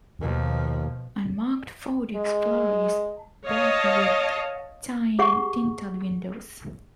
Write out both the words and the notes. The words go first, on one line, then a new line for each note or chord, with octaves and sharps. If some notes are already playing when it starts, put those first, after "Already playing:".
Unmarked Ford Explorer is black with tinted windows.
D#2 B2 F3
G#3
C#5 D#5 F5 A5
G4 G#4 F#5 C#6